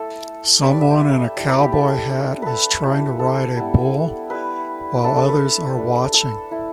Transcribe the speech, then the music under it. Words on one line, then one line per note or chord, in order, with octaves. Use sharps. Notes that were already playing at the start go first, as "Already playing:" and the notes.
Someone in a cowboy hat is trying to ride a bull, while others are watching.
Already playing: A3 E4 A4
G3 D4 B4
D5
E5
G5
G3 E4 D5
B4
G4
A4
A3 D4
A4 B4
G3 E4
A4
G3 B3 E4
G3 E4 B4
A3 D4 A4
A4
B4
G3 D4
A4
A3 E4